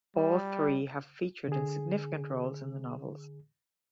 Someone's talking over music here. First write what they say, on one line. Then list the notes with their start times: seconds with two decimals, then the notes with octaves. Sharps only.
All three have featured in significant roles in the novels.
0.15 G3
1.48 D3 G#4